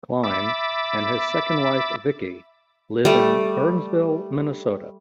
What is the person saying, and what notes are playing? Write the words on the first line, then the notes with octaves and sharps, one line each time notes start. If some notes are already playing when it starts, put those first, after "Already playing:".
Kline and his second wife, Vicky, live in Burnsville, Minnesota.
E5 B5 D6 A6
G3 A3